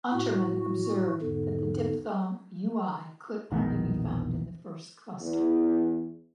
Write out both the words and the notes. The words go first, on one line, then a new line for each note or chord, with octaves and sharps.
Untermann observed that the diphthong "ui" could only be found in the first cluster.
A2 F#4
E2 G#2 D3
E1 A#1 D#3 B3
E2